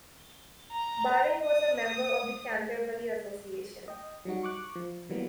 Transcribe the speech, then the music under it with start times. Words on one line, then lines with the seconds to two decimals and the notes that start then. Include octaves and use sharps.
Baring was a member of the Canterbury Association.
0.72 A#5
1.46 D#6
3.88 D#5 G5
4.25 F#3 G3 D#4 F#4
4.43 C#6 D6 F#6
4.76 F3
5.10 E3 F#3 G3 A#3 B3